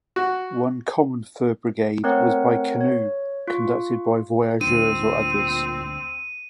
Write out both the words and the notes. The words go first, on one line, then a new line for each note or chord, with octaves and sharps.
One common fur brigade was by canoe, conducted by voyageurs or others.
F#4
A3 C4 A#4 C#5 F#5
C#5
F4 C#6
D2 A#2 G3 C4 D4 D#7